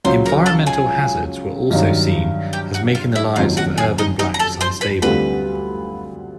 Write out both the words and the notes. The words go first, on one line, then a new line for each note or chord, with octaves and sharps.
Environmental hazards were also seen as making the lives of urban blacks unstable.
C#2 C#3 F#3 C5 C6
A#4 A#5
A4 A5
G#4 G#5
G2 D#3 F#3
G4 G5
F#4 F#5
F4 F5
E4 E5
F#1 F2 C3 D#3 F#3 F4 F5
F#4 F#5
G#4 G#5
D#4 D#5
D#4 D#5
A#5
A4 A5
C5 C6
B4 B5
D2 D3 G3 C4 F4 B4 B5